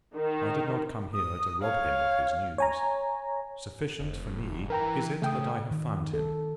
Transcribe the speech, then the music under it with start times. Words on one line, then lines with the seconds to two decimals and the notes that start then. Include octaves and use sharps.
I did not come here to rob him of his news. Sufficient for me is it that I have found him.
0.15 D#3
1.13 D#6
1.62 C#5 F5
2.58 C#5 G#5 A#5
4.00 F1
4.70 E3 A#4 G5 A#5
5.22 C#3 A3 G5 D#6
5.71 D#3
6.14 A4